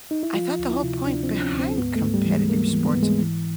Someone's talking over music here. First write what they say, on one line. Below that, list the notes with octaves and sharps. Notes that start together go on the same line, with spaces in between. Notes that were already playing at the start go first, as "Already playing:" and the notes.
I thought the whole point behind competitive sports
D#4
E4
F3 F4
D2
E4
C3
D2 D4
C4
F3
C#4
D2
C4
G#2 B3
A3
G#2
G3
E3
G#3
G#2 A#3
E3
B3
G#2
G#3
E3